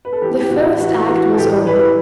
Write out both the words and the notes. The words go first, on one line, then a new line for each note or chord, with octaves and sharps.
The first act was over.
B4
A4
E3 G4
G4
A2 F#4
E3 F#4
E3 F#4
A4
A2 G4
E3 B4